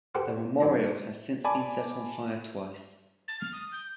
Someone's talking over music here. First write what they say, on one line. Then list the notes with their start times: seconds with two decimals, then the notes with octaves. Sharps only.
This memorial has since been set on fire twice.
0.15 F#4 G4 A4 B4 C5
0.60 F#2 A#2 A#5
1.44 D5 G#5 A5 B5 D6
3.28 A6
3.40 F6
3.52 D#6
3.72 G6